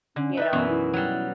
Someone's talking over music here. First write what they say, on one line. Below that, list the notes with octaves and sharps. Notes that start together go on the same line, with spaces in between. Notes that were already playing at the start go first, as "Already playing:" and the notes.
You know?
D3 C#4
D#4 B4 D5 E5
F#2 B2 E3 B3
E4
F#3 G3